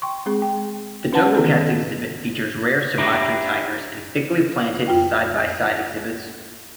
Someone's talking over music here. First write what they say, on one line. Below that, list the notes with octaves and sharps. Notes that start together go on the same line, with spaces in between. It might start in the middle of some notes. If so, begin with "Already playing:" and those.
The Jungle Cats exhibit features rare Sumatran tigers in thickly planted, side-by-side exhibits.
G5 C6 C#6
G#3 C4 G#4
G5
C#4 B4 F#5 A5
D#3 B3 A4
D4 E4 G4 A#5
F2 F4 G5